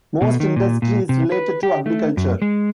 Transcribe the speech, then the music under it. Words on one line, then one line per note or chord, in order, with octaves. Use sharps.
Most industry is related to agriculture.
B2
D#3
A#2
A#2
C3
B4
G4
A3
F#2
G#3